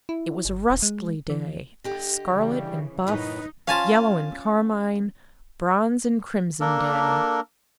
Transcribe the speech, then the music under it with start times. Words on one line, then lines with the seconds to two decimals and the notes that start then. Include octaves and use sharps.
It was a rustly day, a scarlet and buff, yellow and carmine, bronze and crimson day.
0.09 E4
0.45 G1
0.70 E1
0.82 G#3
1.30 E3
1.84 D3 G4 D#5
2.30 C#3 E3 G3
3.07 F#2 A2 D#4 E4 B4
3.68 C#4 F4 F5 G#5 A5
6.61 A#3 D4 A4 A#4